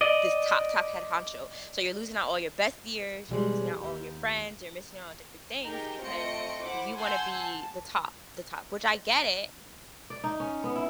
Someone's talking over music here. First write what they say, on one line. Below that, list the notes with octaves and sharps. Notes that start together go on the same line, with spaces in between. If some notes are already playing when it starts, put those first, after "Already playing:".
this top, top head honcho. So you're losing out all your best years, you're losing out all your friends, you're missing out on different things because you wanna be the top the top, which, I get it,
D5 D#5
B2 E3 G3 G#3
D#2 G4
D#4 G4 G#4 A#4 G5
A3 C4 F4 D#5 C#7 D7
E4 C5 F#5 D6
F#5 G#5 A5 C6 E6 G6
A5
D5
D#4
C#4
B3
E4